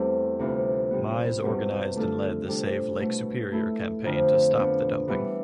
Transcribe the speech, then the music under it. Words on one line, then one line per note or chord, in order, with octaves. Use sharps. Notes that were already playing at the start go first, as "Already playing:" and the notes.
Mize organized and led the Save Lake Superior campaign to stop the dumping.
Already playing: E2 G3 A3 C4 E4 A4
D2 C3 E3 B3 F4
C3 G3 B3
E2 B2 G3 C4
D3 A3 D4 F4 A4
C3 G3 D4 A4
B2 A3 E4
A3 E4 A4
F2 D3 F3 C4 F4
F3 B3 D4
E3 G3 B3 D4